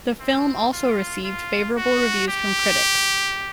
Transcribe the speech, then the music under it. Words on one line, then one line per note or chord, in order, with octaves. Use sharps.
The film also received favourable reviews from critics.
C4
F4
F4
F#4
G4